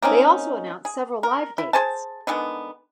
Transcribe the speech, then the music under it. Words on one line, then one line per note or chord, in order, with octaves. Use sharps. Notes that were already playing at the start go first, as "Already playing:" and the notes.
They also announced several live dates.
A#3 C4 C#4 D#4
G#4
A#4
E4
G#4 C5 G#5 A5
D3 D#3 G#3 B3